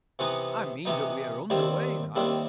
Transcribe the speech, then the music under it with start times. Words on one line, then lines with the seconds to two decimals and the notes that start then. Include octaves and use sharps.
"I mean that we're under way now."
0.19 C3 E3 B3 D#4
0.85 C3 E3 B3 D#4
1.50 D#2 D#3 G3 C4 E4
2.15 D#2 D#3 G3 C4 E4